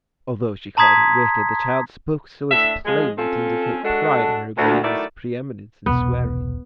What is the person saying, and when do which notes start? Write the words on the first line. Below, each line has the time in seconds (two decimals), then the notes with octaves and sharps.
Although she called her wicked, the child spoke so as plainly to indicate pride in her grannie's pre-eminence in swearing.
0.77 A5 A#5 C6 D#6 G#6 B6
2.50 A2 D4 E5
2.85 F3 G#3
3.17 C4 C#4 F4 A4
3.83 G#3 D4 F#4 A4
4.56 D2
4.83 D#3 F#3 A3 E4 D5
5.86 E1 C2 B2 B3